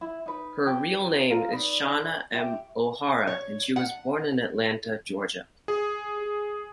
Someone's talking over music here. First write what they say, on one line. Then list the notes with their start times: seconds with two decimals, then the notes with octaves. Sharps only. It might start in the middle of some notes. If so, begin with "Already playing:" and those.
Her real name is Shana M. O'Hara, and she was born in Atlanta, Georgia.
0.01 E4
0.26 D#4 B4
0.67 G4
1.30 F4 A4 A#4 F5
1.51 D#4 B4 D5
2.34 G4 E5 G5
3.27 C#5
3.76 F#5
5.68 G#4